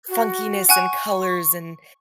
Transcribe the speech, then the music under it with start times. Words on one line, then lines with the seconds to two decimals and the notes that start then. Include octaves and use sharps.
funkiness and colors, and
0.09 F#4
0.69 F#5 G#5 C#6 F#6